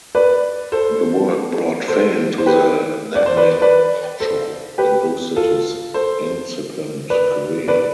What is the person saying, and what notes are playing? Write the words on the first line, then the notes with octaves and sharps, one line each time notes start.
The work brought fame to the then young Macho and boosted his incipient career.
B4 D5
A4 C5
A4 C5
C5
G4 B4
D5
C5
B4 D5
B4 D5
A4 C5
G4 B4
F4 A4
A4 C5
B4 D5
B4 D5